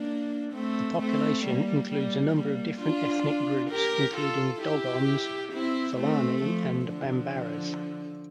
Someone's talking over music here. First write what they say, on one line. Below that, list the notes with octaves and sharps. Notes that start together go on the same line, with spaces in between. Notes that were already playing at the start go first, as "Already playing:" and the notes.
The population includes a number of different ethnic groups including Dogons, Fulani and Bambaras.
Already playing: A#3 D4
A3 C4
A3 C4
G3 A#3
G3 A#3
G3 A#3
D4 F4
G4 A#4
F4 A4
E4 G4
C4 E4
A3 C4
F3 A3
D3 F3